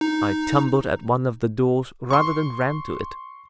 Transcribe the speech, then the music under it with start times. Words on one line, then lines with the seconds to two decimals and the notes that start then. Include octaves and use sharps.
I tumbled at one of the doors rather than ran to it.
0.01 D#4
2.11 C6 C#6